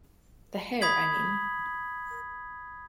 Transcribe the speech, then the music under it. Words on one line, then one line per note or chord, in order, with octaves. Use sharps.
The hair, I mean.
B5 D#6 G#6 B6 F#7